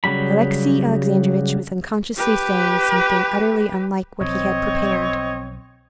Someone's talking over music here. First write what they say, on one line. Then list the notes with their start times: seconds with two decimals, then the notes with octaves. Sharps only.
Alexey Alexandrovitch was unconsciously saying something utterly unlike what he had prepared.
0.04 C#3 F#3 G3 B5
2.17 G4 B4
4.21 B1 F3 C4 C#5 D#5